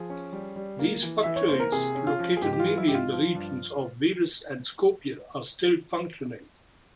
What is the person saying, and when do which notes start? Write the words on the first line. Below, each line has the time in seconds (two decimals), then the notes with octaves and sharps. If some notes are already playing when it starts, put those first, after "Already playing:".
These factories, located mainly in the regions of Veles and Skopje are still functioning.
Already playing: F3 G#4
0.10 C#4
0.33 G3
0.56 G3
0.79 A#3
1.03 E3
1.23 E3 E5
1.36 C#5
1.48 A#3 C5
1.60 A#4
1.72 C3 G#4
1.95 C#4
2.07 F4
2.19 F3
2.37 G#4
2.42 G#2 G4
2.53 G4
2.59 F4
2.66 E3
2.77 E4
2.88 G#2 G4
2.94 F4
3.12 F3
3.35 G2